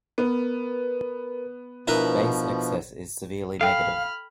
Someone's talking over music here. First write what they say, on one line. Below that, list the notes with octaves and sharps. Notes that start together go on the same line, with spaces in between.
Base excess is severely negative.
B3 A#4 B4
B2 F3 D4 E4 A#4 B4
A4 F5 G5 B5 F6